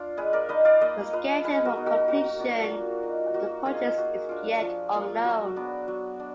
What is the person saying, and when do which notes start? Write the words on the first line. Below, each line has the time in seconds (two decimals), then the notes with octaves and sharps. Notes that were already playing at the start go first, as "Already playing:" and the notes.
The schedule for completion of the purchase is yet unknown.
Already playing: D4 F4
0.17 G#3 G#4 B4
0.33 A#4 D5
0.49 D#4 B4 D#5
0.65 D5 F5
0.81 A#3 B4 D#5
1.13 F4 B4 D#5
1.44 G#3 G#4 B4
1.65 F#4 A#4
1.76 B3 D#4
1.86 F#4 A#4
2.08 A#3 F#4
2.39 D4 F4
2.71 A#3
3.03 D#4
3.34 A#3 F#4
3.66 D#4 F4 G#4
3.97 A#3 F#4
4.29 D4 F4
4.61 F3
4.93 A#3 F4
5.24 F#3 F#4
5.56 B3 D4
5.88 F#3
6.20 D4